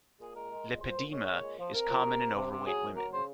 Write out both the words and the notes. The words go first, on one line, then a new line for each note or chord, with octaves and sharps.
Lipedema is common in overweight women.
A#2 G#4
G#3 A#4
G#3
A#2
A#2 C5
A#2
G#3 C#5
A#2
G#3
F3
C3 A#4
F3
C3
C3
C3
C3
F#3 G#4
F#2
F#3 A#4
C#3 C5